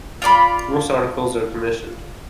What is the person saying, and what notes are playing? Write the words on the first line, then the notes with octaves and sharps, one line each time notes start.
Most articles are commissioned.
F4 D5 B5